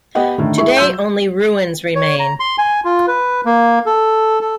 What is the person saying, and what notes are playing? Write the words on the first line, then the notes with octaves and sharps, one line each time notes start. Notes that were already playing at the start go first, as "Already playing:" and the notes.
Today only ruins remain.
B3 G4 D#5 F#5 G5
A2 D3 D#3
E4 G#4 E5 C#6
F#3 C6 E6 G6
C#5
A#5
C6
G#5
F4
B4
A#3
A4
A4